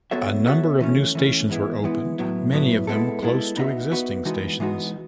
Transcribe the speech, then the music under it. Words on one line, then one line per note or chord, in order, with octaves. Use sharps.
A number of new stations were opened, many of them close to existing stations.
B3 F#4 A4 C#5 E5
B3 F#4 A4 C#5 E5
E3 A3 C#4
E3 A3 C#4
E3 G#3 B3 E4
E3 G#3 B3 E4
A2 F#3 B3 E4
A2 F#3 B3 E4
G#3 B3 E4 A4
G#3 B3 E4 A4
B3 D#4 F#4 B4 E5
B3 D#4 F#4 B4 E5
E3 G#3 B3 D#4 F#4
E3 G#3 B3 D#4 F#4